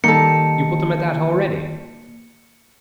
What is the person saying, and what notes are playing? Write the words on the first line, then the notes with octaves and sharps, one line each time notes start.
You put them at that already?...
D#3 G3 A#3 D#4 A4 A#5 C#7